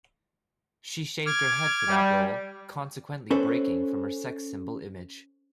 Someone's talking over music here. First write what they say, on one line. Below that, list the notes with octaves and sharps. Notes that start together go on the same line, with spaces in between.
She shaved her head for that role, consequently breaking from her sex symbol image.
D6 F6 G#6
G3
C#4 A4 B4 C5